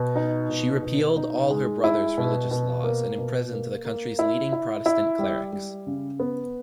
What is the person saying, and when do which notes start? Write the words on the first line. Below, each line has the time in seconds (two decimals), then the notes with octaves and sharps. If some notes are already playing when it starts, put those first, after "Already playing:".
She repealed all her brother's religious laws and imprisoned the country's leading Protestant clerics.
Already playing: B2
0.16 D#4
0.49 B2
0.83 B2
1.17 D#4
1.50 G#3
1.84 E4
2.18 B2
2.51 B2
2.84 A#3
3.18 B2
3.52 A#3
3.85 A#3
4.19 E4
4.53 E4
4.86 E4
5.19 G3
5.53 G3
5.87 C#3
6.20 B3